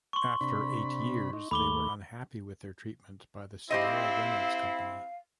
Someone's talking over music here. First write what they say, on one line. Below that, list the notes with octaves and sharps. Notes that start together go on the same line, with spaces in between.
After eight years, they were unhappy with their treatment by the Sierra Reynolds Company.
C6 C#6
C3 D4 B5
D#4
D#2 A3 B5 D6 G7
C4 E4 G4 C5 D#5 F5